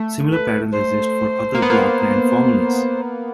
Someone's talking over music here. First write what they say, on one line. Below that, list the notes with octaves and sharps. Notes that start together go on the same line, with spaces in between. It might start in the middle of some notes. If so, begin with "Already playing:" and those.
Similar patterns exist for other block grant formulas.
Already playing: A3
B4
C5
A#3
B3
A#3